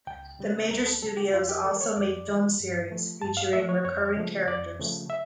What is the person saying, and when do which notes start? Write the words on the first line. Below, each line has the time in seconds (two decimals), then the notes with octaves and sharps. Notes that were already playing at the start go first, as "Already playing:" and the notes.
The major studios also made film series featuring recurring characters.
0.07 C#2 G5
0.39 C#3 G3
0.70 C#2 A#4
0.86 A4
1.02 C#3 G3 A4
1.17 G4
1.33 F2 F4
1.49 G4
1.64 E3 A4
1.68 G3
1.76 A#4
1.81 C#5
1.96 F2 D5
2.28 E3 G3
2.59 G2
2.91 F3 A3
3.22 G2 A5
3.37 F5
3.53 F3 A3 E5
3.69 C#5
3.85 F2 C#5
4.16 C#3 F3 A3
4.47 F2 D5
4.79 C#3 F3 A3
5.10 E5